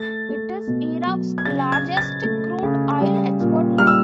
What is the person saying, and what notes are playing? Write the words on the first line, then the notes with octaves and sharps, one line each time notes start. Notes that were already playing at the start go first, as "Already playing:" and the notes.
It is Iraq's largest crude oil export line.
Already playing: A3 A6
A3
B2
F#3
G#6
C#3 A6
G#6
C#3
A6
A3
C#3
G3
A#2
G3 F6
E6